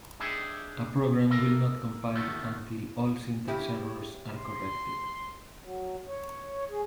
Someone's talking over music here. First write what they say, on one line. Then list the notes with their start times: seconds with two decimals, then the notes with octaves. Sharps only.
A program will not compile until all syntax errors are corrected.
0.20 D4 D#4 G4 G#4 E5
1.30 A3 A#3 A4 A#4
2.15 D#2 B2 D3 D#3 A3 B3
3.48 C#3 E4 G4
4.38 C6
5.63 F#3
6.07 C#5
6.69 G#4